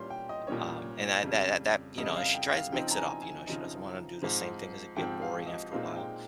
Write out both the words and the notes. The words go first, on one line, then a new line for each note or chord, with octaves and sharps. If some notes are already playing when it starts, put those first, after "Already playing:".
Um, and that th that that you know, she tries to mix it up, you know, she doesn't wanna do the same thing 'cause it can get boring after a while.
Already playing: A#2 G3 C#4 C6
G5
D#5
A#2 G3 C#4 C#5
F2 C#3 G3
F2 C#3 G3 D#5
F5
G5
F5
C#3 F3 C4 D#4 G5
A#5
G#5
G#5
C#3 F3 C4 D#4
G#2 F3 C4
G#2 F3 C4 G5
F5
D#5
A#2 G#3 C4 D#4 F5
G5